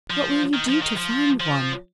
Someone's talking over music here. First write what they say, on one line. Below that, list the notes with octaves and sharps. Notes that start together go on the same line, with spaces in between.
What will you do to find one?'
F3
D#3
F3
D#3
F3
F3